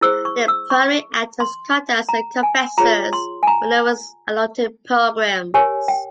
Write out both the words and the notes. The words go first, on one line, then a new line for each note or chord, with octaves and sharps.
They primarily act as contacts and confessors for the numerous Altötting pilgrims.
E4 G#4 C5 E6
C#6
E6
C#6
C6
A#5
G#5
F4 G#4 C#5 A#5
C6
G#5
A#5
G4 A#4 C#5 G#5
G5